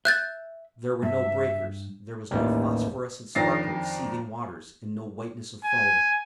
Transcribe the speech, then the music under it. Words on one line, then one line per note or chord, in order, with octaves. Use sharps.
There were no breakers; there was no phosphorescent sparkle of seething waters, and no whiteness of foam.
E5 F#6 G6 A6
G2 E5
A1 D#2 G3
F2 D#3 D4 A6 A#6 C7
G#5